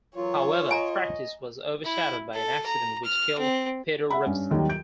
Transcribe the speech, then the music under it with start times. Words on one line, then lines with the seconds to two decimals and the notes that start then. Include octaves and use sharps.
However, practice was overshadowed by an accident which killed Peter Revson.
0.16 F#2 E3 F#3 F4 C#5
0.71 D#5 G#5 A#5
1.85 E4
2.34 A4
2.66 A#5
3.05 F6
3.39 C4
4.10 E5 F#5 B5
4.26 G2 C#4
4.51 D#2 D#3 F#3 G3
4.69 G6 D7